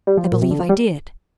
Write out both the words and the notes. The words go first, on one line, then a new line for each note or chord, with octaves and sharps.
"I believe I did."
G3
F3
A#2
C3
D3
F3
G3